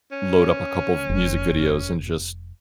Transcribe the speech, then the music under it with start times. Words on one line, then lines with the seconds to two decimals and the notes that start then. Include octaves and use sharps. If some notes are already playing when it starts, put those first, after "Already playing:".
load up a couple of music videos and just
0.12 C#4
1.09 F1